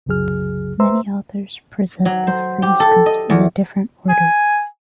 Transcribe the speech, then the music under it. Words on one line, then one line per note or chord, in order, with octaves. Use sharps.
Many authors present the frieze groups in a different order.
C2 F#2 C#3 F#3 G#4 F6
B4 C5 E5 A#5 C6 E6
F#3
C5
G4
A4
D#5
E2
G#5